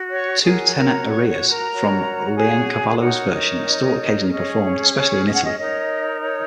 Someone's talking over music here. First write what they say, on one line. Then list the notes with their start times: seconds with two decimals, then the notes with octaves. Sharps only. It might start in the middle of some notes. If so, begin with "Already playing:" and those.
Two tenor arias from Leoncavallo's version are still occasionally performed, especially in Italy.
Already playing: F#4
0.10 C#5 C#6
0.42 F#4 G#4 A#4 C#5 G#5
0.75 A#4 A#5
1.07 C#5 C#6
1.28 C#5 C#6
1.50 A#4 A#5
1.72 F#4 C#5
2.35 G#4 G#5
3.00 D#4 F#4 A#4 C#5 F#5
3.33 D#5
4.29 C#4 G#4 C#5 D#5
4.60 C#5
4.93 C#5
5.25 D#5
5.35 F#5
5.44 D#5
5.57 D#4 A#4 C#5 D#5
6.21 C#5